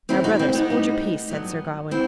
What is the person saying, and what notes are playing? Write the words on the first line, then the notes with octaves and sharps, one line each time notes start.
"Now, brothers, hold your peace," said Sir Gawain.
D#2 D#3 F#3 C4 E4
D#4 F#4
C4 E4
B3 D#4
A2 G3 B3
G2 F#3 B3
B3 C4 E4